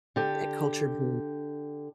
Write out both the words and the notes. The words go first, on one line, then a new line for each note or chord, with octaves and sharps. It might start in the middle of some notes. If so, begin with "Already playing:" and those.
that culture being
D3 G4